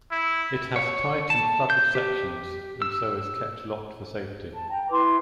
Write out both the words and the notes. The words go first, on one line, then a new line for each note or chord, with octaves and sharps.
It has tight and flooded sections, and so is kept locked for safety.
E4
C#5
A5
G6
G4
E6
A5
G5 A#5
E4 B4 C6 D6